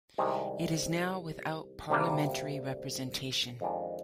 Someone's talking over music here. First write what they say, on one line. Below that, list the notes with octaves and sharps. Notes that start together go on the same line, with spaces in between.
It is now without parliamentary representation.
C2 C3 D#3 G#3
D2 C3 G3 A#3 D4
F2 D#3 G#3 D4